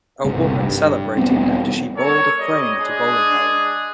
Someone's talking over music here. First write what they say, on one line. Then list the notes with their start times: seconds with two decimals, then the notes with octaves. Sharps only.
A woman celebrating after she bowled a frame at a bowling alley.
0.24 G1 C2 C3
0.60 G2
1.17 E1 G3 B3 C4
1.97 A4 A#4 C#5
2.40 G3 C#5 D#5
2.80 G#3 D4 G#4